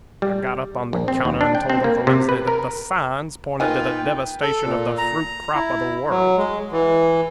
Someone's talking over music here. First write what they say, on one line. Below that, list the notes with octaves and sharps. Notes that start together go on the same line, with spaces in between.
I got up on the counter and told Uncle Emsley that the signs pointed to the devastation of the fruit crop of the world.
G3
A#1
C4
D#2
D4
G5
C4
A#3
C3
B4
A#4
D#3 A#3 D#4 F4 B4 G5 G#5
A4
A#2
A#5
E4
F#3
G#3
E3